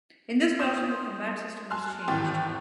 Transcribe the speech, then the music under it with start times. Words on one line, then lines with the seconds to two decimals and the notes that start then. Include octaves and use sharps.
In this version the combat system was changed.
0.59 C6 D#6 G6 E7
1.70 G#5 A5 C6 F6 F#6
2.08 G#1 E2 A2 G5 A6